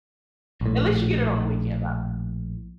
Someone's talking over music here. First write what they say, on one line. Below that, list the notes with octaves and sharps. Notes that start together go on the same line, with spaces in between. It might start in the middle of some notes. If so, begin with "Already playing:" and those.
At least you get it on the weekend, though.
A#1 A2